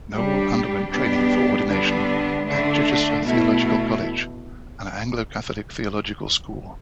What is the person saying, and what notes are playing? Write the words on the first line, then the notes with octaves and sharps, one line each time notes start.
Noel underwent training for ordination at Chichester Theological College, an Anglo-Catholic theological school.
G3 D4 G4
B2 G3 B3 D4 G4
D3 G3 B3 D4
D3 A3 D4
B2 A3 E4